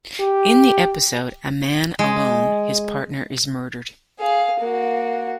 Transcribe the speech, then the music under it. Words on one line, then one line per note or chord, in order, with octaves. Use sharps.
In the episode "A Man Alone" his partner is murdered.
G4
G#3
G#4 F5
A#3 F#4